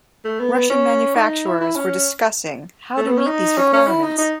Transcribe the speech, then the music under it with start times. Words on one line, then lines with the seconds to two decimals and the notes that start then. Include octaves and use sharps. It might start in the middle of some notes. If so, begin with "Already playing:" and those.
Russian manufacturers were discussing how to meet these requirements.
0.24 A3
0.40 B3
0.55 B3
0.70 C#4
1.15 D#4
1.46 E4
1.61 E4
1.76 C#4
2.97 A3
3.07 B3
3.17 C#4
3.27 D#4
3.58 C#4
3.73 C#4
3.88 E4
4.03 D#4
4.18 D#4